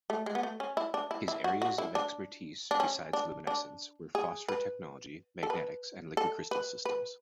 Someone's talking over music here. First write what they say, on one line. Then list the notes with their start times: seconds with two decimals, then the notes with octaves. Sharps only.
His areas of expertise, besides luminescence, were phosphor technology, magnetics and liquid crystal systems.
0.10 A3
0.26 G#3
0.35 B3
0.43 A3
0.60 C#4
0.77 E4
0.94 D4
1.11 E4
1.28 E4
1.44 F#4
1.62 F#4
1.78 E4
1.95 D4
2.71 D4
2.80 C#4
3.13 D4
3.47 D4
4.15 G#4
4.48 B4
5.43 A4
5.50 B4
6.17 A4
6.51 B4
6.85 B4